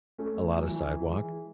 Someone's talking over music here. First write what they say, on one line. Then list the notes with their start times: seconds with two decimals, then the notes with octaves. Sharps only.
a lot of sidewalk.
0.18 A3 C#4
0.43 E3
0.57 F#3
0.69 E3
1.06 E3 G#3